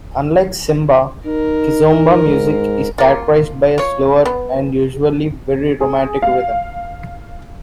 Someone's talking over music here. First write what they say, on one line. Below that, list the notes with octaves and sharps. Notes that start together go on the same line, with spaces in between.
Unlike semba, kizomba music is characterized by a slower and usually very romantic rhythm.
D#4 A#4
G#2
A#3 F4
F4 C#5
B3
G#4
F5